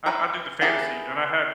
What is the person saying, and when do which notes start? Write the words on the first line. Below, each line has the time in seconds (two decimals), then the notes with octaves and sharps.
I d I do the fantasy, and I had
0.06 E3 E4 B4 G5 A#5
0.61 B3 E4 G4 G#4 A#4